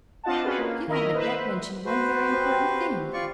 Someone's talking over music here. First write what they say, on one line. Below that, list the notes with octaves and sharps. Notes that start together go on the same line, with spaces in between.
You haven't yet mentioned one very important thing.
C4 D4 F4 D#5 F#5 A5
C#4 F4 F#4 G#4 B4
A#3
D#3 A#3 E4 A#4 D#5
B4 C5 E5
F#4 B4 C5
C4 G4
F4 D5 C#6